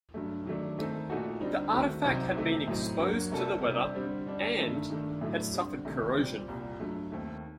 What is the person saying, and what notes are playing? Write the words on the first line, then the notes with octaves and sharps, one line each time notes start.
The artifact had been exposed to the weather and had suffered corrosion.
G2 F#3 A3
D#3 F#3 A3 D4
D#3 A3 C4 D#4 A4
A#2 A3 D#4 F#4 A4
D3 G3 C4 D#4
D#3 A3 C4 F#4
C2 C3 F#3 C4 D#4
C3 D#3 A3 D#4
A2 F#3 C4 D#4
G2 F#3 A#3 F#4
C3 G3 A#3 F#4 A4
C3 G3 D4
D3 G3 C4
D3 G3 D4
G2 D#3 A3 D#4
G2 D#3 A3 D4
A2 F#3 A3 D4
D3 G3 C4
C2 C3 D#3 A3
A#2 G3 C4 G4
C2 A#2 G3
G2 F#3 A3
D#2 D#3 A3 C4